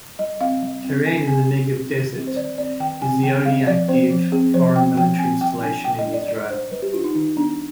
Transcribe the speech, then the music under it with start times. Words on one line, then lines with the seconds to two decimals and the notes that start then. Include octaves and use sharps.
Keren in the Negev desert is the only active foreign military installation in Israel.
0.19 G3 D#5
0.40 C4 F5
0.62 G3
0.84 C4
1.05 G3 G#5
1.28 C4 G#5
1.49 G3
1.71 C4
1.93 D#3
2.15 G3 C4
2.27 C5
2.36 D#3 D5
2.58 G3 C4 D5
2.80 D#3 G5
3.02 G3 C4 G#5
3.23 D#3 G5
3.45 G3 C4 F5
3.67 F3 D5
3.88 C4 C5
4.11 F3
4.32 C4 G#4
4.54 F3 C5
4.76 C4 G5
4.97 F3 G5
5.19 C4 G#5
5.41 G3 G5
5.63 D4 G#5
5.84 G3 G5
5.99 D#5
6.06 D4
6.13 D5
6.28 G3 D5
6.49 D4 C5
6.71 G3 B4
6.82 G4
6.93 D4 F4
7.04 D#4
7.15 D#3 D#4
7.37 G3 B3 D4